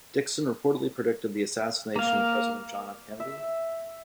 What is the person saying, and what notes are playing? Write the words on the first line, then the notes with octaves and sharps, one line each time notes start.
Dixon reportedly predicted the assassination of President John F. Kennedy.
A#3 F5
E5